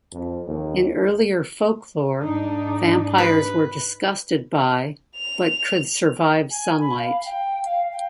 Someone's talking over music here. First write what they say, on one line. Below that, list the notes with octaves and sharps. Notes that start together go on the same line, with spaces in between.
In earlier folklore, vampires were disgusted by, but could survive sunlight.
F2
D#2
G#2 D4 D#4
B4
F7
G#5
B5
F5
G5
F5
G5